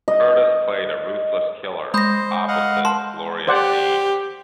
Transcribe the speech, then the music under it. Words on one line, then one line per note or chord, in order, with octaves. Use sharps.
Curtis played a ruthless killer opposite Gloria Jean.
D#5
G#3 C5 B5 D#6 G6 A#6
D#5 F5 F#5
A5 C6
G4 C5 D5 F#5